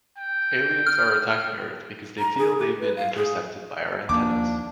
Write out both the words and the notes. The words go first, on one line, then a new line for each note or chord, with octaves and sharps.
Aliens are attacking Earth because they feel they've been intercepted by our antennas.
G5
F6
A#5
G#4
G4
B4
F5
G#4
D#2 F3 A#3 D4 D6